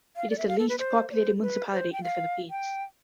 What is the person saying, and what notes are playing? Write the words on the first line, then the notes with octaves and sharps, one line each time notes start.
It is the least populated municipality in the Philippines.
F5
D5
E5
F5
A4
B4
C5
D5
C5
B4
C5
G5
F5
G5